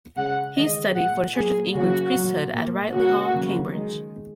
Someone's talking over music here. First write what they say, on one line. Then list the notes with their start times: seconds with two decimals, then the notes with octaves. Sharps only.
He studied for the Church of England's priesthood at Ridley Hall, Cambridge.
0.16 C#3 G#3 F#5
0.56 D#3 G#3 D#5
0.95 A#2 G#3 F#5
1.35 A#2 F#3 A#3 G#4
1.75 C#3 F#3 A#3 F#4
2.13 A#2 F#3 A#3
2.54 A#2 A#3
2.93 C#3 A#3 F#4
3.32 C#3 F#3 A#3
3.71 D#3 G#3